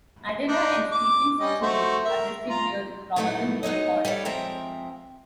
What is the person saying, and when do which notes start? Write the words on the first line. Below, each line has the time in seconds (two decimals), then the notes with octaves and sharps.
Adela and Stephen's children are listed here in probable birth order.
0.48 D4 D#4
0.92 D6
1.39 G3 C#4 D#5
1.62 A3 F#4 C5
2.05 A#4 E5
2.49 F4 A#5
3.16 A#2 F#3 A3 B3 D#4 E4
3.63 G#3 D#4 C#5 D#5
4.05 G3 A4 C#5 D5
4.25 F3 G#3 C4 E5 G5 A#5